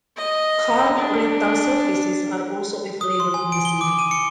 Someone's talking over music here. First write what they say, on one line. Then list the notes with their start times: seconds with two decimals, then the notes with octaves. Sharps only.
Car rental services are also available in the city.
0.17 D#5
0.97 D4
3.01 D#6
3.20 C6
3.34 G#5
3.52 D7
3.65 G7
3.81 D6
3.99 D#7
4.11 C#7